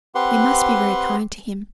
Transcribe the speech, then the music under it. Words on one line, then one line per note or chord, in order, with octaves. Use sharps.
We must be very kind to him.'
C4 G4 B4 F#5 C6